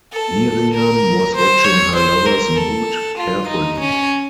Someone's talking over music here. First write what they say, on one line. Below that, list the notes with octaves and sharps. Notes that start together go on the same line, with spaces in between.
Miriam was watching her lover’s mood carefully.
A4
A#4
C5
C#5
C5
A#4
A4
F4
D#4
C#4